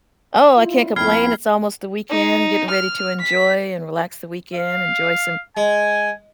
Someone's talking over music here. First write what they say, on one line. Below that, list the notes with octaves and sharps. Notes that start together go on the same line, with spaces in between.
Oh, I can't complain, it's almost the weekend, getting ready to enjoy and relax the weekend, enjoy some
E4 F4
F2 A3 A#3 E4 B5 F6 G#6 C7
D#4
F6
B6
F5
G#3 G#5